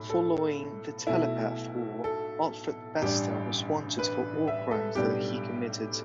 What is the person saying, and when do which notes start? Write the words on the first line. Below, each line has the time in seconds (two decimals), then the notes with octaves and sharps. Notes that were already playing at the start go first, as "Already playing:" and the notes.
Following the Telepath War, Alfred Bester was wanted for war crimes that he committed.
Already playing: B1 A2
0.10 A4
1.07 B1 B2 A3 E4
2.04 A4
3.02 A1 G2 G3 D4 G4
3.99 B4
4.48 E5
4.71 A4
4.95 B1 A2 G3 B3 D4 G4